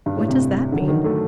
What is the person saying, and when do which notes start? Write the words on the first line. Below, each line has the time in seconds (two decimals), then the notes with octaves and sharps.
"What does that mean?"
0.06 G2
0.17 A2
0.28 C3
0.72 D3
0.80 F#3
0.88 D#3
1.04 A3